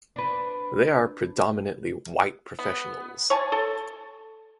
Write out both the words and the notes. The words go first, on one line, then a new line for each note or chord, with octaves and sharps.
They are predominantly white professionals.
D4 B4
B3
C#5 G#5 A5
A4